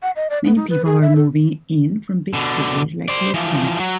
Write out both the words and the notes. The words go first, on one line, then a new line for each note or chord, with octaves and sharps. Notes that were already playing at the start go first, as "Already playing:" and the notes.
Many people are moving in from big cities like Lisbon.
F#5
D#5
D5
B3
D#4
B4
G#4
E5
A4
B2 D3
C5 D5
E3 F3
F#3